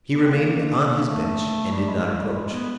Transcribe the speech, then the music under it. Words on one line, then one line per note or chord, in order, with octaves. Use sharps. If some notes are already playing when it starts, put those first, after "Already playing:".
He remained on his bench and did not approach.
B3
C4
A#3
A3
G3
G#3
G#3
G3
G#3
B3